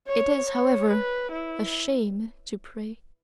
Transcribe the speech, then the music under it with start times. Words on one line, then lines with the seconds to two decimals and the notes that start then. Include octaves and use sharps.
It is however a shame to pray!
0.08 C#5
0.50 C#5
0.91 B4
1.32 E4